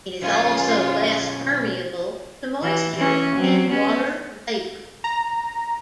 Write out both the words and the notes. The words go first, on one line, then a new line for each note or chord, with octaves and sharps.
It is also less permeable to moisture and water vapour.
B1 C#4 F4 G#4
E3
E3 C#4
F#3 C4
B3 C#4
A#5